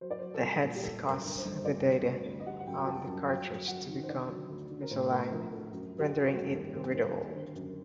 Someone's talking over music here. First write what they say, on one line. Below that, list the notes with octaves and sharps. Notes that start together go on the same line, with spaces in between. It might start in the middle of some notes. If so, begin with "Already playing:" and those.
The heads caused the data on the cartridge to become misaligned, rendering it unreadable.
F#3 C5
D5
F#3 C5
A4
C2 A#4
A#2
G4
G1 A4
F#2
A#4
D3
C5
G1
C5
D2 D5
D2
D2
D2
D#5
G3 F#5
F#5
F#2 G5
G5
G3 A5
F#2 A5
F#3 G5
F#3
F#3 F#5
D#3
C5
D3 D5
F#3
D2
D3
A#4
A2 C5
A2 A#4
A#1 A#4
A#1 A4
F#2
F#3
G4
F#3
F#4
G1
A4
D#2 G4
D#2
D#2 C5
D#2
D3 C5
F#2